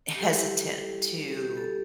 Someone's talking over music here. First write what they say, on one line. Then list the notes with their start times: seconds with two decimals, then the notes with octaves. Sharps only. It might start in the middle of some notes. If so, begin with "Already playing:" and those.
eh hesitant to,
0.15 G4
0.19 G3 E4 A4
1.37 G4
1.57 A4